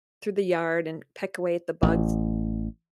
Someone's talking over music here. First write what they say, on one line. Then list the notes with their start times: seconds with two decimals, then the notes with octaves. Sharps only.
through the yard and peck away at the bugs
1.83 A1